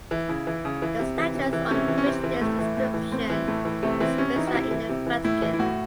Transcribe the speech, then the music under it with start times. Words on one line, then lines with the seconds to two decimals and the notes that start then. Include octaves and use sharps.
The statues on which this description is based are in the Vatican.
0.11 E3
0.29 C#3 E4
0.47 E3
0.65 C#3
0.82 E3
1.00 C3
1.18 E3
1.35 C3
1.53 E3
1.70 C3 C#4
1.88 E3
1.98 C#4
2.06 C3 C4
2.24 E3
2.41 A2 A3
2.59 E3
2.77 A2
2.94 E3
3.12 A2 C4
3.30 E3
3.48 A2 A3
3.65 E3
3.83 C3 A3
4.00 E3 C4
4.18 C3 C#4
4.36 E3 D#4
4.47 F#4
4.54 C3 E4
4.71 E3
4.89 C3
5.06 E3
5.24 A2 E4
5.42 E3
5.54 E4
5.59 A2 F#4